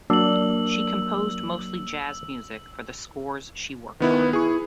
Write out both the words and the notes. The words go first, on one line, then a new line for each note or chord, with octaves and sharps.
She composed mostly jazz music for the scores she worked on.
F#3 A#3 D4 D5 E6 F#7
D#3 B3 E4 B4
E4 G#4 C#6